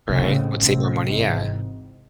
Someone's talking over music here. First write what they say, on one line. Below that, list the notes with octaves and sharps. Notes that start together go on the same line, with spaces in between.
Right, would save more money, yeah.
C3
A1 A2 C#3 G#3 C4
A1 A2 C3 G#3 C4
G#1 G#2 E3 G#3 C4